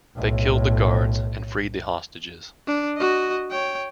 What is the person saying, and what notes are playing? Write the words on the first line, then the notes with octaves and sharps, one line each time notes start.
They killed the guards and freed the hostages.
B1 A2
D4
F#4 D#5
C#5 G5